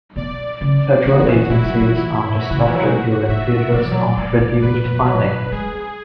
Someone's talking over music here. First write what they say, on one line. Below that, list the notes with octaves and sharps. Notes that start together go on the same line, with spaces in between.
Federal agencies are disrupted during periods of reduced funding.
B2 D5
C#3
D3 F#4
D3
E3
G#3 E4
F#3
E3
F#4
C#3
D3
E3
F#3
G#3
A3 E5
F#3 D5
E3
F#3
G#3
G#3
G#3 B4
E3
E3
F#3
G#3 G#4